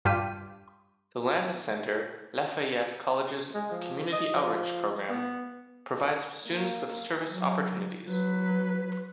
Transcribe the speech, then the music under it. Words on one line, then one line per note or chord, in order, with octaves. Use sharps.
The Landis Center, Lafayette College's community outreach program, provides students with service opportunities.
G2 F4 G4 B6 D#7
G#3
F3
D#5
F3
B3
A#3
F#3
F#3 B4